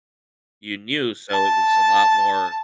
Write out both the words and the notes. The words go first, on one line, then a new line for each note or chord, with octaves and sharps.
you knew, so it was a lot more
A5